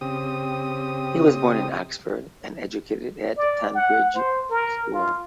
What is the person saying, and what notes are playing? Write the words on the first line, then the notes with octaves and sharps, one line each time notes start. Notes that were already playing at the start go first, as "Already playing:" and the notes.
He was born in Oxford, and educated at Tonbridge School.
C#3 C4 G4 D#6
D5
F#5
C5
A#4
F4